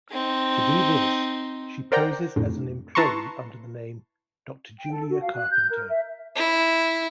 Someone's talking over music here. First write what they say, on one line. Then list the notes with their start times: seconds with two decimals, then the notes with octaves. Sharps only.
To do this, she poses as an employee under the name "Doctor Julia Carpenter".
0.11 C4 D#4
1.92 A#4 C5 D5 F#5 G5 A#5
2.36 F2 A2 D3
2.95 E4 B4 A5 A#5 C6 C#6
4.78 G5
4.91 A4
5.08 F#4
5.21 F5
5.34 F#6
5.50 G6
5.70 A#4
5.89 E5
6.36 E4